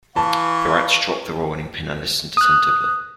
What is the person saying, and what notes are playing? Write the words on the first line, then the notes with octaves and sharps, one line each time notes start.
The rats dropped the rolling-pin, and listened attentively.
E3 F5 A5 C#6
D#6 F#6